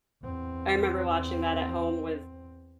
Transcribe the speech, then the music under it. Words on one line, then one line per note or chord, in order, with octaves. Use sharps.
I remember watching that at home with,
E2 C4